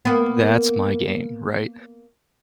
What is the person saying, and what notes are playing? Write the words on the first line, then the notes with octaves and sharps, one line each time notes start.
that's my game, right?
A#3 B3